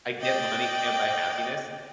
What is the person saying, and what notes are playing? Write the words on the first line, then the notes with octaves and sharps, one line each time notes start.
I get money can't buy happiness,
D5 D#5 G5